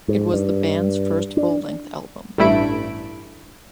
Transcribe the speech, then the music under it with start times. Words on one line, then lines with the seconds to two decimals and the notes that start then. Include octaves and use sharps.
It was the band's first full-length album.
0.08 G#2
0.34 G2
1.37 D4
2.38 A1 G2 A3 E4 B5 D7